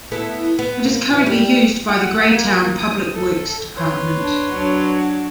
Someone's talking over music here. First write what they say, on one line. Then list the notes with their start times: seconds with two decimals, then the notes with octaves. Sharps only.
It is currently used by the Greytown public works department.
0.11 B3 E4 A4
0.59 B3
0.85 A#3
1.11 E3 F4
1.26 G3
1.88 F#5
2.27 A#3
2.78 D#6
3.15 A4
3.77 B4 C#5 C6
4.20 D4
4.49 F#3 D4